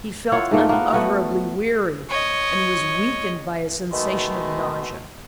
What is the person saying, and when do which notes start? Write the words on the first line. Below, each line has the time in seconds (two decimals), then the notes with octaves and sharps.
He felt unutterably weary, and was weakened by a sensation of nausea.
0.32 E4 F4 C#5 F#5
0.51 G#2 A3 A#3
0.69 A#3 B3
0.92 A3 B3 F#4
2.10 C#5 D#5
3.92 B2 D#3 G#3 A3 B3